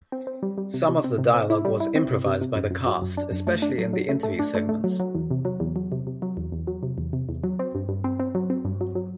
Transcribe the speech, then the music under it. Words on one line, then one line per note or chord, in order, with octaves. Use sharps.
Some of the dialogue was improvised by the cast, especially in the interview segments.
C4
C4
G3
G3
C3
C3
C4
C3
C4
E4
G3
E4
C4
C3
C3
C3
F#2
F#2
F#3
F#2
D4
F#2
A3
D4
F#3
F#3
A3
A3
D4
A3
A3
F#3
F#3
E2
C3
F#3
E2
F#3
C3
C3
F#3
E2
E2
F#3
C3
E2
C3
E2
F#3
C4
G2
G2
C4
C4
F#3
C4
G2
F#3
F#3